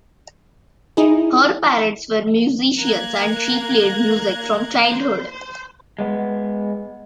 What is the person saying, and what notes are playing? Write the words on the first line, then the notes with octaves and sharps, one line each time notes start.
Her parents were musicians, and she played music from childhood.
D#4 E4 G#4
A#3 A#5 F#6 G#6
G#3 B3